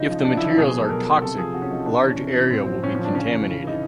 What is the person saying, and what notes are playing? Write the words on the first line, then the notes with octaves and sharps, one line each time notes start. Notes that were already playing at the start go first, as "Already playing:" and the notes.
If the materials are toxic, a large area will be contaminated.
Already playing: C#3 D#4
F3
C#3 D4
E4
F3 D#4
B2 G#4
F#3
A4
B2 A#4
F#3
C3 A4
F3 G#4
C3 F#4
C#4
F3 D#4
C3 D4
E3
C#4
C3
E3
A2 C4
F3 C4
A2 C#4
C#4
F3
D4
C#3 C#4
E3
C#3
E3 D#4